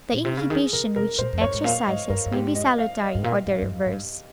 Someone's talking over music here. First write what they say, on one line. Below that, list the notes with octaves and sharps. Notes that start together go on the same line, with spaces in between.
The inhibition which it exercises may be salutary or the reverse.
A#2
C3
C#3
D#3 G#4
C#3 A#4
C3 A#4
A#2 C5
F2
G2 C#5
G#2
A#2 F5
G#2 D#5
G2 A#4
G2
G#2 G4
D#5
F5
D#5
G#2
A#2 F5
G#2
G2
F2
G#2
G2